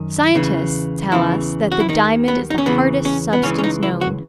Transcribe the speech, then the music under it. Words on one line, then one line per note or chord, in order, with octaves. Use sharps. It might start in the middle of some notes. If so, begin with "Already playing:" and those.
Scientists tell us that the diamond is the hardest substance known.
Already playing: F#2 D#3
E2 C#3 E3
E2 C#3 E3 E4
F#4
E4
D#2 D#3 D#4
B3
D#4
C#4
E2 C#3 E3 B3
C#4
B3
C#2 C#3 E3 C#4
C#4
D#4
E4
F#4